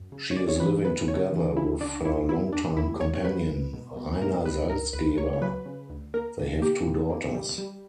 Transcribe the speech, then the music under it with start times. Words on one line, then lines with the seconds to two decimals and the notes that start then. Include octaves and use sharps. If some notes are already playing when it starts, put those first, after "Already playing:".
She is living together with her longtime companion Rainer Salzgeber; they have two daughters.
Already playing: F#2
0.12 C#3
0.31 C#5
0.36 C#3 D5
0.48 C#5
0.60 E3 B4
0.84 C#3 B4
1.08 C#3 C#5
1.32 E3
1.56 C#3 E4
1.81 C#2 D4
2.04 C#2 E4
2.29 E2 E4
2.52 E2 D4
2.77 E2 E4
3.01 E2 C#5
3.15 C#5
3.25 F#3 B4
3.49 C#2
3.73 B2
3.97 B2
4.21 B2 A#4
4.45 C#2 B4
4.69 C#2 A#4
4.93 C#2 B4
5.17 A#3 C#5
5.33 C#5
5.41 F#3 B4
5.66 C#3
5.89 D2
6.14 A#3 A#4
6.38 A#2
6.62 A#3 G4
6.86 A#2
7.10 A#3
7.35 G3
7.58 G3